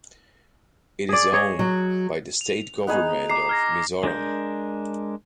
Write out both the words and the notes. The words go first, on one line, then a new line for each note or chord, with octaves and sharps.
It is owned by the State Government of Mizoram.
G#4 D5
G#4 C#5 D#5
F#3
F7
B3 D#4 G#4
A#5 D6 C7
F6 G#6 A#6
G#3 D4 A#4 G6